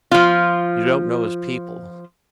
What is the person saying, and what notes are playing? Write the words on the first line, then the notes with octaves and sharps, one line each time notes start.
You don't know his people.
F3 F4